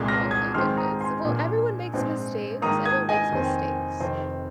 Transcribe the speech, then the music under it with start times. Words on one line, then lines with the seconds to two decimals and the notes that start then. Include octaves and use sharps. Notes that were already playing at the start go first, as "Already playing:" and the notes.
Oh my goodness. Well, everyone makes mistakes. Everyone makes mistakes.
Already playing: C2 A#2 G#3
0.08 F6 A#6
0.31 D#6 G#6
0.54 G#2 D#3 G#3 C4 C6 F6
0.77 A#5 D#6
1.01 G#5 C6
1.24 A#1 A#2 F3 A#3
1.93 A#1 G#2 G#3 C4
2.62 G#2 D#3 A#3 A#5 D#6
2.85 D#6 G#6
3.09 D#5 G#5
3.32 F1 D#2 D#3 C4
4.00 F1 F2 C3 D#3 C4